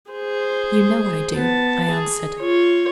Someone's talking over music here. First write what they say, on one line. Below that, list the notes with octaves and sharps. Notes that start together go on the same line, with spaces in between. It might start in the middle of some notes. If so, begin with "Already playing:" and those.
'You know I do,' I answered.
G#4 C5
B3 A5
G#4
F4 C#5